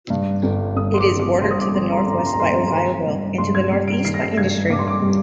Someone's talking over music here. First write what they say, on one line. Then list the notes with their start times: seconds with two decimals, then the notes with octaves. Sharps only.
It is bordered to the northwest by Ohioville and to the northeast by Industry.
0.10 G2
0.43 G1
0.76 G1 D#6
0.94 C6
0.98 D6
1.10 D#3
1.20 D6
1.41 G2 C6
1.51 D#6
1.59 D6
1.75 G1 C6
1.92 A#5
1.98 C6
2.06 G1 A#5
2.12 C6
2.19 A#5
2.26 C6
2.33 A#5
2.40 D#3 C6
2.48 A#5
2.54 C6
2.62 A#5
2.68 C6
2.73 D#3 A#5
3.07 G2
3.38 G2 C6
3.55 G#6
3.72 G3 C7
3.88 D7
4.05 D#3 C7
4.14 A#6
4.22 C7
4.37 G2 G#6
4.70 G2 D6
4.79 C6
4.88 D6
5.02 G3